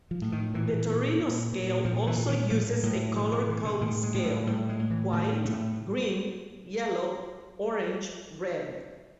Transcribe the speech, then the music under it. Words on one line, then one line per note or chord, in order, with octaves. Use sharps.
The Torino Scale also uses a color code scale: white, green, yellow, orange, red.
F3
A2
D#3
A#2 E3
A#2
A#2
A#2
A#2 F3
E3
A#2
D#3
A2 F3
A2 F#3
B2 F3
F3
B2 E3
D3
A2 D#3
G#3
A2
F#3
A2 G3
G#3
A2
E3
A2 D#3
A2 A3